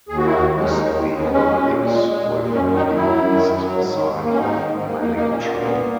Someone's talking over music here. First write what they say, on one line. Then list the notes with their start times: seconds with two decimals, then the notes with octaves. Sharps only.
Mistley merges with the east side of Manningtree.
0.09 D#2 G#4
0.18 F#4
0.24 D#3 E4
0.35 D#2 F#4
0.55 G#3
0.63 C#4
0.70 D#2 D#4
0.86 D#3
1.01 D#2
1.17 G#3 B3
1.32 G#3 C#4
1.47 G#3
1.63 A#2
1.78 A#2
1.93 G#3
2.09 G#3
2.24 A#2
2.39 A#2
2.54 F#2 C#4
2.70 D#3
2.76 D#4
2.85 F#2
2.96 E4
3.01 F#3
3.16 F#2
3.31 D#3
3.47 F#2
3.62 F#3
3.78 G#2
3.93 D#3
4.08 G#2
4.24 A#3
4.32 C#4
4.39 G#2 D#4
4.54 D#3
4.70 G#2
4.85 A#3
5.00 A#3 D#4
5.16 A#3 D#4
5.31 A#2 C#4
5.46 A#2 B3
5.62 A#3 B3
5.78 A#3